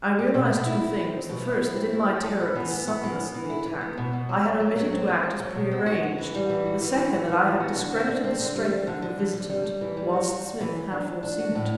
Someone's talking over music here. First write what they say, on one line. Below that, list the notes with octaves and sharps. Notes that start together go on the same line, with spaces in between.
I realized two things: the first, that in my terror at the suddenness of the attack I had omitted to act as pre-arranged: the second, that I had discredited the strength of the visitant, whilst Smith had foreseen it.
G3
B2
B2
E4
E4
C4
C4
B2
E4
E4
C4
E4
E4
A4
B3
E3
B3
B3
E3
B3
E3
E4
E3
B3
B2
B2
F#3
F#3
F#3
F#3
C4
C4
C4
F#3
B2
C4
F#4
F#4
E3
G3
E3
F#4
E3
F#4
F#4
E3
B3
F#4
D3
C4
D3
C4
D3
G3
C4
D3
D3
G3
D3
G3
G3
E3
G3
F#4
G3
F#4
E3
E3
D4
D4
D4
F#4
A2